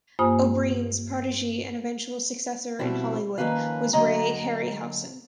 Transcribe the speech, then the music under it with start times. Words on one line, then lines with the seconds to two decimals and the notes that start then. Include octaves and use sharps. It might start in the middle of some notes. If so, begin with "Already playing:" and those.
O'Brien's protege and eventual successor in Hollywood was Ray Harryhausen.
0.19 G2 A#3 F4 C5 G#5 D#6
2.79 B2 F3 G3 C4 E4
3.38 D#3 F3 A#3 C#4 B4 F5
3.93 D3 F#3 A#3 D#5 A#5